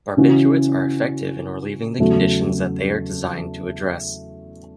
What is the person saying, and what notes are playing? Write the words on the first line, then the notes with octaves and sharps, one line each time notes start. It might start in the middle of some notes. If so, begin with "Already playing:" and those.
Barbiturates are effective in relieving the conditions that they are designed to address.
C#3 E3 C#4 F#4
E2 C#3 F#3 A3 F#4